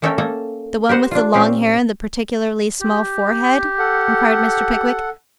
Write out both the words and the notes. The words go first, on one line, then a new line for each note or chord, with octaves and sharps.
'The one with the long hair, and the particularly small forehead?' inquired Mr. Pickwick.
A#3 C#4 A4 A#4 E5 G5
A#3 A4
G4 A#4 C5 F#5
D4 F4
A#2 C4 C#4 G4 F5
G4
A4 F#5